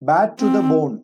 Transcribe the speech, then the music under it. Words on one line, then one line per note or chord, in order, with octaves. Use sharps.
Bad to the bone.
C4